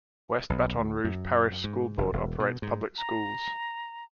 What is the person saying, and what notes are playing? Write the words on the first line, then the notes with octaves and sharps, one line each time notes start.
West Baton Rouge Parish School Board operates public schools.
B1
D2
F#2
G#2
F1
E1
B2
G#2
A#5